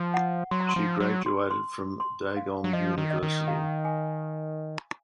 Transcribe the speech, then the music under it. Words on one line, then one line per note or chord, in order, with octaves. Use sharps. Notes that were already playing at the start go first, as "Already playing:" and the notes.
She graduated from Dagon University.
Already playing: F3
F#5
F#3 C6
A#5
C6
F3
F#3
C6
C6
C6
F5
F#3
F3 D#5
D#3
D#5
D#3
F5
G#5